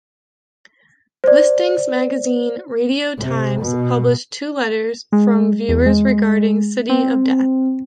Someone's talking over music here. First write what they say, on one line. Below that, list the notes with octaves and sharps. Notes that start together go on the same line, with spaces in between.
Listings magazine "Radio Times" published two letters from viewers regarding "City of Death".
C5 D5
C3
B2
G#3
E2
G#3
C4